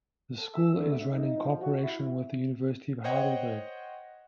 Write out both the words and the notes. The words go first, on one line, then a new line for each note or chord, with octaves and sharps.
The school is run in cooperation with the University of Heidelberg.
A4
E6
D2
E5
D#4
F3
F#4
E4
C5 C#5 D#5 F#5 G5 G#6